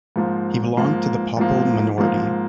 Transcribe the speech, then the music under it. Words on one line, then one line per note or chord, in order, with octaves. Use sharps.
He belonged to the Papel minority.
G#2 F3 A#3
G#2 F3 A#3
G#2 F3 A#3
G#2 F3 A#3